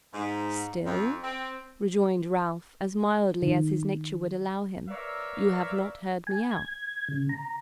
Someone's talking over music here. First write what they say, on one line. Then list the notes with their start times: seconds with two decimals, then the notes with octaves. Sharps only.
'Still,' rejoined Ralph, as mildly as his nature would allow him, 'you have not heard me out.
0.13 G#2
0.85 F2
1.23 C4
3.42 D#3
4.89 A#4 B4 C#5 D5 E5 F5
6.27 G#5
6.51 G#6
7.08 C#3
7.29 A#5